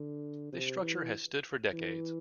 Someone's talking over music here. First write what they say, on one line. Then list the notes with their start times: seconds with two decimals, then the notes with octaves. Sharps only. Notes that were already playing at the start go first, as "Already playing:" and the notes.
This structure has stood for decades.
Already playing: D3
0.52 C3
0.82 E3
1.73 E3